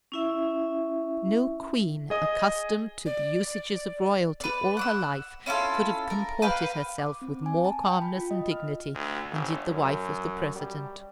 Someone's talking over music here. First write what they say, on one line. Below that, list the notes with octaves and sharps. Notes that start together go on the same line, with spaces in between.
No queen, accustomed to the usages of royalty all her life, could have comported herself with more calmness and dignity than did the wife of the President.
C#4 E4 E5
G#4 D#5 D#6
D5
B4 D5
F#5 D6 E6
C#4 E4 F4 A4
A#4
B4 F5 G5
D6
C4
G#5
A5
G5
B5
F4
D#5
F6
D2
G1
F#2
G3